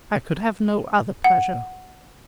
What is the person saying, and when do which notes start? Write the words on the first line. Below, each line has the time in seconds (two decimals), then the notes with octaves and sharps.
I could have no other pleasure.
1.24 F#5